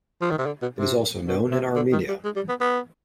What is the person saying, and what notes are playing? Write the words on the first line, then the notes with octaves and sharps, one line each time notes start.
It is also known in Armenia.
F3
D#3
C3
D3
B2
C3
B2
C3
D3
D#3
G3
G#3
G3
B3
B3